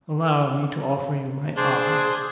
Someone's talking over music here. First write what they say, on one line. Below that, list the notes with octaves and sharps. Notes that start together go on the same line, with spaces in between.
Allow me to offer you my arm.
D4 G#4 C5 A5 C6